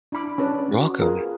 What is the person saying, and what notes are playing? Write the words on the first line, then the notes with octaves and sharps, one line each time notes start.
You're welcome.
D4 E4 B5 D6
C#4 D4 B4 D5 A5
F#4
F4 G#4 A#4 B4